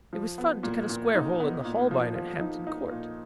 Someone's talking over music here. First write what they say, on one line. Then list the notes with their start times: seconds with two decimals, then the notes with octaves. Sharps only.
It was fun to cut a square hole in the Holbein at Hampton Court.
0.13 F3
0.38 B3
0.63 A#2
0.89 A#2
1.15 D#4
1.40 B3
1.65 A#2
1.91 F3
2.15 F3
2.41 D#4
2.67 D#4
2.92 A#2